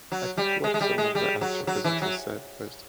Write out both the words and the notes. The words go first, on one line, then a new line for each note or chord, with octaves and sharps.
I think what some of the astrophysicists said was
F#3
G3
G#3
G#3
G3
G#3
G3
F#3
F#3
E3
F#3